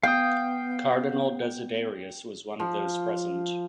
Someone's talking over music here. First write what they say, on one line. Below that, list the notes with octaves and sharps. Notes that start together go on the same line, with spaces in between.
Cardinal Desiderius was one of those present.
B3 F5 G5 D#6
F3